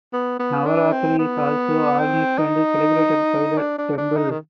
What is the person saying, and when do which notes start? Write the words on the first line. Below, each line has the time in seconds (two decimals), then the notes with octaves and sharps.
Navaratri is also organised and celebrated by the temple.
0.13 B3
0.40 B3
0.66 D4
0.92 C4
1.19 B3
1.99 C4
2.39 D#4
3.58 D4
3.78 D4
3.98 D4
4.17 D#4
4.31 D#3